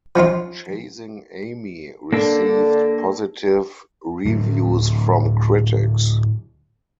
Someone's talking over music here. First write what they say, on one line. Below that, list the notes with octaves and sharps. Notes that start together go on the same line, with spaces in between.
"Chasing Amy" received positive reviews from critics.
F3 C#4 D#4 F4
D3 A#3 D4 A4
A2 D3 F#3